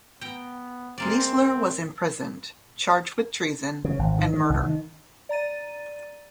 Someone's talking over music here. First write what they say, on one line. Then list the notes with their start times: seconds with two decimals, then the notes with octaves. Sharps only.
Leisler was imprisoned, charged with treason and murder.
0.21 B3 G5 A#5
0.98 G#3 A#3 C4 D5
3.85 C#3
3.99 G#1
4.18 D#3
4.34 D#3
4.50 C2
4.63 D#3
5.29 D5 A#5 A6 D#7